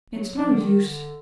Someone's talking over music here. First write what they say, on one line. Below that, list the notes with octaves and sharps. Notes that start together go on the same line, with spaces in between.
It's no use.
F#3
F3 D4
D3
D#3
D3